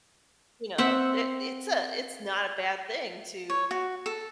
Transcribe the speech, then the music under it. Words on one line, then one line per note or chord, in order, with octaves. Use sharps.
you know, it it's a it's not a bad thing to
C4 E5 F#5
C#5
F#4
A4